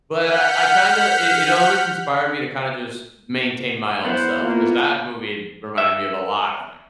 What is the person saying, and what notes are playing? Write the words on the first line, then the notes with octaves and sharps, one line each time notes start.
But I I kinda it it always inspired me to kinda just maintain my own self 'cause that movie reminded me of a lot of things.
F#5 F6 G6 B6
B3 E4 C5
A#3 F4
E5